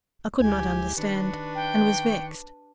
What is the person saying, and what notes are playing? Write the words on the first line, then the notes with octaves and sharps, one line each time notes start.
I could not understand, and was vexed.
D2 G#3 E4 G4 G#5
D#3 D4 B4 C#6
G5